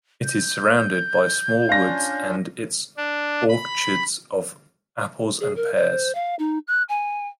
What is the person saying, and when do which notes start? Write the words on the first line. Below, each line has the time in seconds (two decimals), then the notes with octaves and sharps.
It is surrounded by small woods and its orchards of apples and pears.
0.24 G6
1.69 C#4 D4 F4 F5 A#6
2.97 D4
3.49 B5
5.41 G#4
5.56 A#4
5.76 C5
6.15 F5
6.39 D#4
6.68 F#6
6.89 G#5